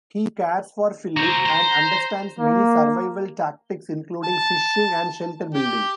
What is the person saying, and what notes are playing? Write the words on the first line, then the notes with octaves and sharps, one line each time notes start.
He cares for Phillip and understands many survival tactics including fishing and shelter-building.
F#4 C5 A#5
C5
A#3
A5
G4